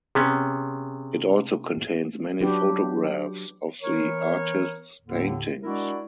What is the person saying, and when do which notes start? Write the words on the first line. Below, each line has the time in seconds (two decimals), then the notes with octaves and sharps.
It also contains many photographs of the artist's paintings.
0.15 C3 B3 C#4 G#4
2.41 F#3 D4 F#4 G4 B4
3.81 E3 B3 A#4 C#5
5.02 D#2 A2 D3
5.63 G#3 D4 E4 F#4 A#4 D5